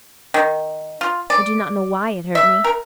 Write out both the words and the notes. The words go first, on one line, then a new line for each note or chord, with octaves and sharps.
I do not know why it hurt me.
D#3
F4
D5
E5
A#4